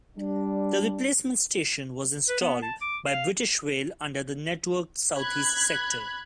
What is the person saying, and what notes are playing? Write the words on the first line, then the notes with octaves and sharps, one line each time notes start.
The replacement station was installed by British Rail under the Network SouthEast sector.
G3 D4
B4
B3
A5
D6
F5
B5 F#6 G#6